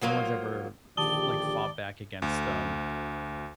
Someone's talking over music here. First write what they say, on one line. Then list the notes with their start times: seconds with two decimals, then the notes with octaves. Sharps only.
no one's ever f like, fought back against them,
0.01 F3 F#3 A#3 F4
0.97 A#1 D3 D#3 G4 D5 A5 D#6 G7
2.22 D2